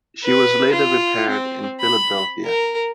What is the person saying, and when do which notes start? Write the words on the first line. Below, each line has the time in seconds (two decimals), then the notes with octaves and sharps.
She was later repaired in Philadelphia.
0.24 B4
0.73 F4
1.29 C4
1.80 B5
2.45 A#4